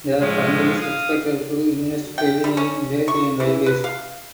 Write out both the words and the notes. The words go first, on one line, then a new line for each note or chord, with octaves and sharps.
The fund is expected to invest heavily in Brazilian railways.
A2 F3 G#3
F5 D#6
G5
G3
C#4
C#6
E3
B4
F5